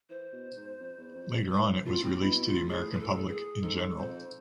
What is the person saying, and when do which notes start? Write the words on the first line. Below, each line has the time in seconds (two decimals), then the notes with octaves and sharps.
Later on it was released to the American public in general.
0.10 E3 C5
0.33 B2
0.57 G#2
0.80 F2
0.98 E2
1.15 F2
1.33 F2
1.50 G#2 B4
1.86 A2 F4
2.04 C4
2.21 B2 E4
2.45 F4
2.56 A2
2.69 G#4
2.92 B4
3.00 A4
3.08 G#4
3.16 A4
3.28 G#4
3.62 G#2 A4
3.98 F2 C5